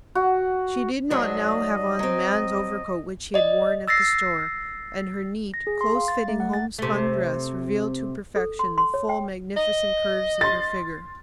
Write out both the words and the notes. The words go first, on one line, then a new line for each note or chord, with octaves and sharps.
She did not now have on the man's overcoat which she had worn at the store, and her neat, close-fitting home-spun dress revealed to perfection the full, magnificent curves of her figure.
F#4
G#2 F#3 D4 D#5
F#3 C4
D5 D#5
E6 A6 A#6 C7
A#6
G#4
C6
F5
A6
A3
F#5
A6
C3 A3
A4
C6
C6
C#5
G5
D#5
C6 A6